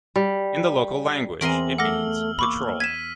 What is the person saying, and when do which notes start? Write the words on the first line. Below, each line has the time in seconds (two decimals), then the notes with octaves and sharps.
In the local language it means "patrol".
0.16 G3
1.41 E2 C4 A#4 C6 D7 D#7 F#7
1.78 A3 F#5 D6 E6 F6 A#6
2.39 A#3 B5 C#6 D6
2.80 G#6 B6 D#7 E7